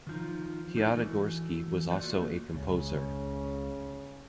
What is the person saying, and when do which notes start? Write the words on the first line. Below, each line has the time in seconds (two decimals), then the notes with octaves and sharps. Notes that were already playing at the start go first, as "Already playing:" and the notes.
Piatigorsky was also a composer.
0.07 D#3 F3 D#4
0.76 A3 D#4 A#4 B4 D5 D#5
0.93 E3 F3 A3 F#4
1.90 A3 A#3 F4 F#4 C5 D5
2.54 C#2 C#3